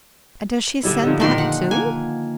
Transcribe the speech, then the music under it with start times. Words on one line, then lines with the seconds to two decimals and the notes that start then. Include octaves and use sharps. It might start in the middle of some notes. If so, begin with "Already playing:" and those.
"And does she send that too?"
0.83 D3 G3 E4
1.03 D3 D#3 F3
1.20 A#2 D#3 G4 B4 C6
1.38 F#5
1.71 A#3 G#5